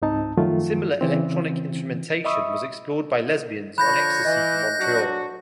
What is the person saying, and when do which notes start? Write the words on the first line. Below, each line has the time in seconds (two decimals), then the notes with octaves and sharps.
Similar electronic instrumentation was explored by Lesbians on Ecstasy from Montreal.
0.02 C#2 G#2 C4 D#4 A5
0.37 F#2 D#3 F3 F#3 A3 F4
1.01 C#3 E3 C4
2.25 D#5 E5 B5 C#6 D#6 E6
3.78 D3 F3 C#5 B5 F#6 G6 A#6
4.25 E3 D#5
4.79 F#3 D4 F#4